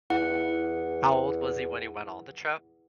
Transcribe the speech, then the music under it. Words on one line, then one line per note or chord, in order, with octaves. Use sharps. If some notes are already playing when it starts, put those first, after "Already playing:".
How old was he when he went on the trip?
E2 E4 F#5